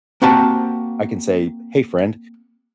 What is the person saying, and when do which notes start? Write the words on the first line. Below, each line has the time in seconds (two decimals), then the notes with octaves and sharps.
I can say, "Hey friend,
0.22 A#3 C4 F#4 G4 C5 A5